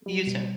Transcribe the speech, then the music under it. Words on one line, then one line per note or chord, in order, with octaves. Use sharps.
You too.
G3
B2